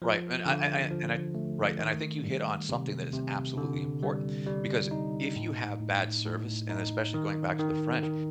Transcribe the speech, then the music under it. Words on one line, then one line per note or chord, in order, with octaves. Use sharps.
Right, and I I I and I right, and I think you hit on something that is absolutely important, because if you have bad service, and especially going back to the French,
F3
D3
F3
A3
D#3
G3
C3
C3
D3
G3
G3
D#4
A2
A2
A2
D#4
D#3
D#3
D#3